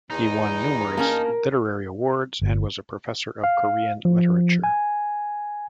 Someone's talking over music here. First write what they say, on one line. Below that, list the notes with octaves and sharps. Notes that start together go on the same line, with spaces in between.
He won numerous literary awards and was a professor of Korean Literature.
E2 D#4
A#3 C#4 A#4 A5
G1
F5
F3
G#5